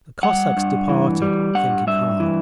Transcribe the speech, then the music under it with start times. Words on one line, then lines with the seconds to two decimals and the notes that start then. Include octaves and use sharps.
The Cossacks departed, thinking hard.
0.23 G3 F#5
0.57 G2
0.89 E3
1.22 G3
1.55 G2 F#5
1.87 G2 E5
2.20 E3